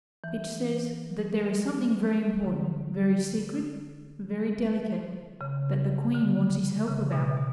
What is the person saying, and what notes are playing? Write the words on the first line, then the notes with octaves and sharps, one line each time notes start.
It says that there is something very important, very secret, very delicate, that the queen wants his help about.
E3
D3
C#3
D3
C#3
B2
B2